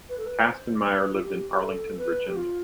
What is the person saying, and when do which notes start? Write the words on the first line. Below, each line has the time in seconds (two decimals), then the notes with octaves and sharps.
Kastenmeier lived in Arlington, Virginia.
0.09 B4
0.18 A4
0.26 B4
0.42 B4
0.47 C5
0.84 B4
1.12 F4
1.23 G4
1.50 G4
1.61 A4
1.98 B4
2.27 G4
2.36 F4